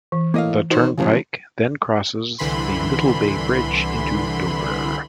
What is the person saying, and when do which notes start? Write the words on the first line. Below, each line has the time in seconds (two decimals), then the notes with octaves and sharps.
The Turnpike then crosses the Little Bay Bridge into Dover.
0.12 E3
0.34 A2 A#3 D#5 F5
0.71 D#3 F#4 C5 C#5
0.98 A1 C#3 F3 F#3
2.38 C2 D3 E3 B5 C6